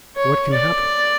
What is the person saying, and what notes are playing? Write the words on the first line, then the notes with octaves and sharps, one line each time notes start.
"What can happen?"
C#5
D5